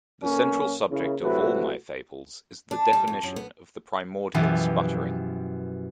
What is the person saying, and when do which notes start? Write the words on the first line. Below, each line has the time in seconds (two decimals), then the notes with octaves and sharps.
The central subject of all my fables is the definition of the primordial sputtering.
0.23 B1 A#3 C#4
0.90 C#3 A#3 E4
1.22 C3 F#3 A3 E4 F#4 B4
2.71 D4
2.93 G3
3.07 F2
3.23 F#2
3.36 B3
4.34 F#2 B2 E3 F3 G4